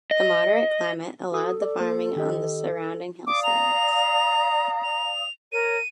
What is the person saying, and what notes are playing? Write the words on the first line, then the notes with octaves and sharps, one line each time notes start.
The moderate climate allowed the farming on the surrounding hillsides.
D#5
F#4 A4 D#6
D5
A#3 C5
D#3 G4 D#5
D5 F5 D6 D#6
A#5 F7
F7
A#4 C#5 D#7